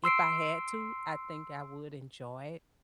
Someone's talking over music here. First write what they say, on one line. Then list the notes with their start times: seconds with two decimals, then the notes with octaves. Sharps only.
if I had to, I think I would enjoy
0.04 C6 E6 C7 D7